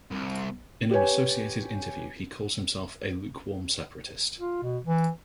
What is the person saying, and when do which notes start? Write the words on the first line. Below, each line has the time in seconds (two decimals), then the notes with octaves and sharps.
In an associated interview, he calls himself a "lukewarm separatist".
0.11 C2
0.91 G4 B4 C#5 G#5
4.39 F4
4.63 B2
4.85 E3